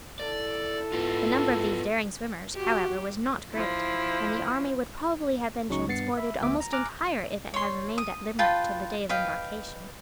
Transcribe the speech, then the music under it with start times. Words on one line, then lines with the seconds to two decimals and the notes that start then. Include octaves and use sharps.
The number of these daring swimmers, however, was not great; and the army would probably have been transported almost entire if it had remained at Limerick till the day of embarkation.
0.20 E4 A4 D5
0.92 B3 F4
2.55 F#4 G4
3.52 F3 E4
5.69 C#2 C#3 F#3 C#4 D#4 C#6
5.88 G2 B3 A6 C7 C#7
6.17 E5 B5
6.42 D2 B3 E5 D6
6.60 A#5
6.72 G#5 A#5 D6 F6 F#6
7.54 C#5 C6
7.98 D#6
8.39 F4 B4 G5 A5
9.09 B4 D#5 F5 G5